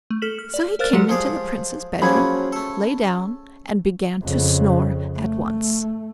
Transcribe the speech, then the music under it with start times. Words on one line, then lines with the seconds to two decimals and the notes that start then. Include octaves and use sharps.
So he came into the Princess' bedroom, lay down, and began to snore at once.
0.10 A3
0.22 A4 F6 B6 E7 F#7
0.39 F6
0.54 D5
0.79 A#4 C5 F5 F6 F#6 A6
0.93 F#3 G#3 F#4 G4 F#5 C#7
1.09 F3 G#4 D5
2.02 F3 F#3 A#3 C#4 G#4 B5
2.53 A3 A4
4.22 F2 C#3
5.15 A3